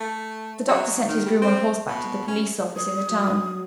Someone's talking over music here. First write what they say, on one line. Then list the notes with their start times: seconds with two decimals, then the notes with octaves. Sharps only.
The doctor sent his groom, on horseback, to the police-office in the town.
0.01 A3
0.68 F#3
1.09 D#3
1.26 G3
1.42 C4
1.89 B2
2.28 C#4
2.76 D#6
3.10 F#3